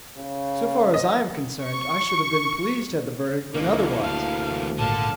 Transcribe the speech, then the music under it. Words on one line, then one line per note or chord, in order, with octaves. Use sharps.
So far as I am concerned I should have been pleased had the verdict been otherwise.
C#3
D#5
C#6
C#2 E3 A#3
D2 F5 A5
G#1 A#2 D3 F5 A5